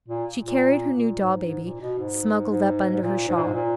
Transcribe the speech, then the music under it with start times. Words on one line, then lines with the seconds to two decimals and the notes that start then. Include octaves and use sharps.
She carried her new doll-baby smuggled up under her shawl.
0.08 A#2
0.43 A#2
0.95 A#2
1.20 G#2
1.46 G#2
1.63 A#2
1.81 B2
1.99 G#2
2.50 G#2
2.92 G#2
3.02 A#2
3.28 G#2
3.35 A#2
3.44 G#2
3.54 A#2